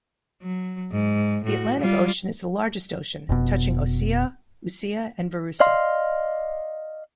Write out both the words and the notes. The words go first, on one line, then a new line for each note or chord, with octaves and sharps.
The Atlantic Ocean is the largest ocean, touching Osea, Usea, and Verusa.
F#3
G#2
A2 F#4
G3 F4
F1 B2
D5 D#5 F5 C6